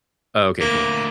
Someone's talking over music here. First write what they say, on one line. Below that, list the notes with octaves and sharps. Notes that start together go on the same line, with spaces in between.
Oh okay, cool.
D2 A#2 A#3